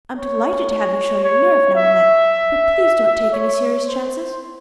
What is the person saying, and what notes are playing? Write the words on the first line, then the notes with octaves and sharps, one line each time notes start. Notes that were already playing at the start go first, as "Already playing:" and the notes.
I am delighted to have you show your nerve now and then, but please don't take any serious chances.
C#5
C#5
C#5
E5
C#5
C5